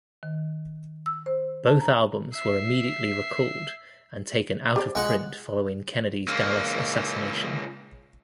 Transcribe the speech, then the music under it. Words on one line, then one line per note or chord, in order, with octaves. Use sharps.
Both albums were immediately recalled and taken out of print following Kennedy's Dallas assassination.
D#3
E6
C5
A5
A#5
E5 C7
G4 C5 D5
F3 G#3 F#5
C#2 A#3